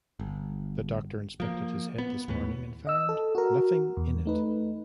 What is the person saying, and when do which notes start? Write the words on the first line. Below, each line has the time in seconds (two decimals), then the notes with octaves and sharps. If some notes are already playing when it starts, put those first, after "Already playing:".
The doctor inspected his head this morning and found nothing in it.
0.19 G1
1.40 F3 A#3
1.98 B3
2.28 D#2 A2 B3
2.87 D#5 E6
3.09 A4
3.35 F#4 A#4
3.97 E2
4.25 A3 D#4 B4